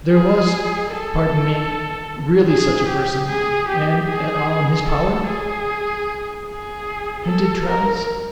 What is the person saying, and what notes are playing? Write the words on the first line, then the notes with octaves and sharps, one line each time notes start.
'There was--pardon me--really such a person, and at all in his power?' hinted Traddles.
G#4
A4
G#4
G4
G#4
G4
G#4
A4
G#4
G#4
A4
A#4